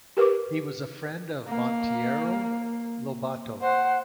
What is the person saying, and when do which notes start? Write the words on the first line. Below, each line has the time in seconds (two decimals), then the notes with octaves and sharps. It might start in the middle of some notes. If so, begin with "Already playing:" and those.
He was friend of Monteiro Lobato.
0.17 G4 A#4 B4 C#6 D6
1.47 A#3
3.61 C5 F#5